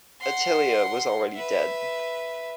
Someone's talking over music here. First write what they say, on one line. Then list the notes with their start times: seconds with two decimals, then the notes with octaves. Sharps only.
Attilia was already dead.
0.21 F#5 C6
1.34 B4 E5